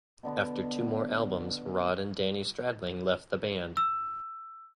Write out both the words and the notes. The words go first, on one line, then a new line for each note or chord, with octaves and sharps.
After two more albums Rod and Danny Stradling left the band.
B2 D3 B3
E6